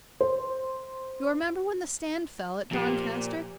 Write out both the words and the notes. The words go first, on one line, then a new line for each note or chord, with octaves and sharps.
You remember when the stand fell at Doncaster?
C5
A#2 F3 G4